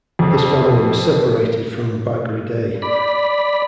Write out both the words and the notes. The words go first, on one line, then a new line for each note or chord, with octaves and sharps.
This family was separated from Bagridae.
F2
D5 B5